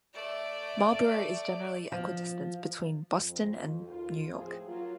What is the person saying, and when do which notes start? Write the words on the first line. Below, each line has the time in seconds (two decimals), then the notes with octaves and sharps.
Marlborough is generally equidistant between Boston and New York.
0.14 A3 D5
1.92 F3
3.16 F2
3.88 D#2 F4
4.37 A2 F3 C4 G#4
4.67 F#3 A#3 F4